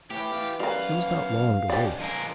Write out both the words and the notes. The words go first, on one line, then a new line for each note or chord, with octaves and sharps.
It was not long to wait.
A2 E3 G4
E4 F5
F#2 G3 A#4 B4 F5
D3 C#4 D#4 G4 D5
D3 F3 G#4 A#4 D#5